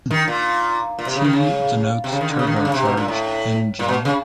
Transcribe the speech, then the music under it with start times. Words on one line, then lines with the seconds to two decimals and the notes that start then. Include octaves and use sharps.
"T" denotes turbocharged engine.
0.11 D#3
0.28 A#2
0.99 A#2
1.07 C3
1.16 C#3
1.24 D#3
1.33 C#3
2.04 C3
2.12 C#3
2.21 D#3
2.30 D3
2.39 C#3
2.47 D#3
2.56 D3
2.65 C#3
2.74 C3
2.85 B2
2.97 A#2
3.08 A2
3.79 A#2
3.89 B2
4.05 C#3